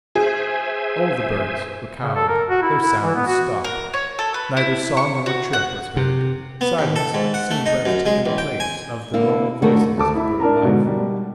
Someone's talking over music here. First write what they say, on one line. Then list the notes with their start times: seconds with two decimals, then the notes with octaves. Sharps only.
All the birds were cowed; their sounds stopped. Neither song nor chirp was heard--silence seemed to have taken the place of the normal voices of bird life.
0.15 G#4 C5 E5 G#5
2.03 C#3
2.16 A4
2.28 A#4
2.49 F#4
2.62 E4
2.81 E4
3.03 E3
3.15 B3
3.27 F#4
3.64 A#4
3.94 C#5
4.19 A4
4.34 B4
4.57 E4
4.97 C#6
5.26 F#4
5.53 F#5
5.97 C3
6.61 B3
6.79 D#2
6.96 A4
7.14 G#2
7.34 F#5
7.51 A3
7.66 D#4
7.85 F#2
8.06 G#3
8.26 A1
8.38 G5
8.60 G#5
9.14 D3 A#3 E4
9.62 D3 D#3 A3 F#4 A#4
9.97 D2 A4 A5 D6
10.15 E4 E5 B5
10.40 D4 A#4 A5 A#5
10.63 G#2 B2 D3
10.87 G3